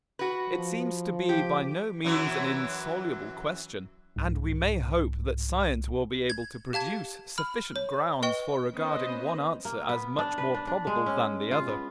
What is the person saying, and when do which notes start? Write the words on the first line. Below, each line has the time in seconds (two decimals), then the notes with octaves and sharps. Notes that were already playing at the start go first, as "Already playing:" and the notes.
It seems to be by no means an insoluble question, and we may hope that science will be able to produce sufficient grounds for regarding one answer as much more probable than the other.
0.19 F#4 B4
0.49 F3
1.29 G4
2.05 F#2 E3 F#3
4.16 C2 G#2
6.30 G#6
6.73 G4 F5 A5 G#6
7.38 B5 F6
7.76 C#5
8.23 B4 D#5 G5 C#6
8.75 B3 C#4 B4 C5 D#5
9.65 A#3
9.89 B3
10.19 D4
10.38 B4
10.54 D4
10.67 D4
10.87 G#3
11.06 C#4
11.51 F4
11.68 B3